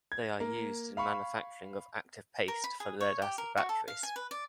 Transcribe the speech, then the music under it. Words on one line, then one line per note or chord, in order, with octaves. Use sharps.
They are used in manufacturing of active paste for lead acid batteries.
G#6
A#3
F5 B5 C#6
A#4
B5
G#4
C#5
G4
A#4
F#4
A4
F5
G#5
B4
D5